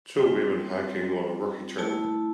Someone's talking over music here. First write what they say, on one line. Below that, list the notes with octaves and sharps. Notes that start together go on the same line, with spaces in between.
Two women hiking on a rocky trail.
G3 C4 F4 G5
A3 E4 A5